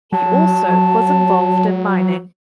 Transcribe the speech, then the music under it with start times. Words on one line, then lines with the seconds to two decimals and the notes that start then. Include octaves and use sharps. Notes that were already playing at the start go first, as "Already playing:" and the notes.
He also was involved in mining.
0.12 F#3 A5